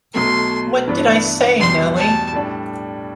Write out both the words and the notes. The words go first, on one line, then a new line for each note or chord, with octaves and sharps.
What did I say, Nelly?
B1 B2 F#3 A3 C6
G2 E3 B3 D4
E2 B2 G3 C6
A5
A2 G3 D4